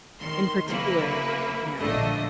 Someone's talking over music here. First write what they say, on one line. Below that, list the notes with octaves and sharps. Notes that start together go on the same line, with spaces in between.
In particular Yeah.
D#3 C6
C#3 F#3 A#3 E4 B4
A#1 D3 A3 D#5